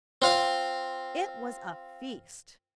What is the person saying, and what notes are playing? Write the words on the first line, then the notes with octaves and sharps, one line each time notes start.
It WAS a feast!
C4 F4 F5